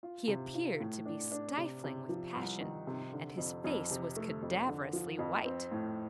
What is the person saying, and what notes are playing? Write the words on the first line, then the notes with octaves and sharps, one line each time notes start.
He appeared to be stifling with passion, and his face was cadaverously white.
F4
C3
F4
A2
D4
D4
C3
C3
F3
C2
D#3
C3
D3
F2
F2
C3
A3
F2
D3
F3
F2
C4
A2